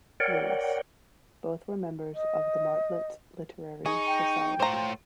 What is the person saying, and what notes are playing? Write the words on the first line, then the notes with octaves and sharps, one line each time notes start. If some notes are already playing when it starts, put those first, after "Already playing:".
Lewis: both were members of the Martlets Literary Society.
A#4 C#5 D5 F#5 G5
D#5
D#4 G#4 C#6
G5
A3 F4 C5 C#5 A#5